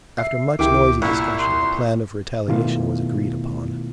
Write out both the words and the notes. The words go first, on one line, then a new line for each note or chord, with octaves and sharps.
After much noisy discussion, a plan of retaliation was agreed upon.
E5 C7
C#2 D#3 E4 G4 D6
C2 A#2 E4 C#6
C6
B2 D#3 A3 B3 E4 F4